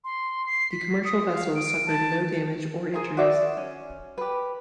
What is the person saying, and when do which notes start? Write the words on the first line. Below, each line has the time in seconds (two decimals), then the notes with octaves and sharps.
The commercial vessel suffered no damage or injuries.
0.04 C6
0.46 C7
0.71 B6
1.05 D#6
1.31 F5
1.55 D7
1.86 A5
2.94 G#4 A#4 C5 G#5
3.17 F#4 C5 D5 E5
3.57 C#4
4.18 G4 B4